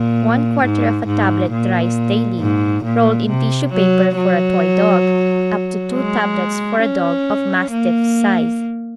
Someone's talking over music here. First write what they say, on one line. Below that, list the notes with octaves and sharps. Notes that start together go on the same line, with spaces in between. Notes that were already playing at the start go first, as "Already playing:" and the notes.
One quarter of a tablet thrice daily, rolled in tissue paper, for a Toy dog, up to two tablets for a dog of Mastiff size.
Already playing: A#2
G#2
G#2
A#2
G#2
A#2
C3
F#3
F#3
G#3
C#4
A#3